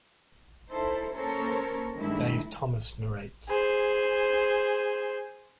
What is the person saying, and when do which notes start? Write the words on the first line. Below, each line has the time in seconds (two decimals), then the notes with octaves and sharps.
Dave Thomas narrates.
0.71 D#4 E4 A4 C5
1.15 A#3 C#4 A4 A#4 C5 C#5
1.96 G2 D#3 G#3 A3 E4
3.48 G#4 C5